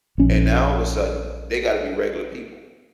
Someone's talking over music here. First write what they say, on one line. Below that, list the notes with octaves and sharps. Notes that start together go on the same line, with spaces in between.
and now, all of a sudden, they gotta be regular people,
A#1 C#4